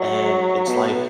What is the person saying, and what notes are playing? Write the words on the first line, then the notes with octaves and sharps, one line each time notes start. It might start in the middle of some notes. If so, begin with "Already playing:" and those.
And it's like
Already playing: F#3
B2
B2